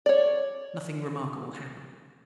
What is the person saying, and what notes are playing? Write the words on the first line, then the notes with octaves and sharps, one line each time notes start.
Nothing remarkable hapened.
C#5 D5